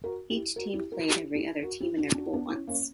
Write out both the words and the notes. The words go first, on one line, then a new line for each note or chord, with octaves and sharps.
Each team played every other team in their pool once.
F#4 A#4
E4 G4
F#4 A#4
E4 G4
F#4 A#4
E4 G4
E4 G4
F#4 A#4
E4 G4
D4 F#4
D4 F#4
B3 D4
C#4 E4
A#3 C#4